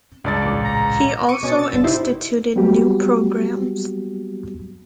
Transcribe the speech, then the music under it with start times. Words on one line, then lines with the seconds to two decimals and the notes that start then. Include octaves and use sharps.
He also instituted new programs.
0.24 C#2 G2 D5 A5 A6
0.42 A1 A#2 D6
0.64 A#5
1.28 C#6 D6 C#7 D#7
1.43 B2 C#4 C#6 D#6 A6
1.59 E6 A6
1.72 G1 D3
1.84 C3 D#4 E4 G4 C5
2.56 F#3 G3 A#3 B3 F#4 G4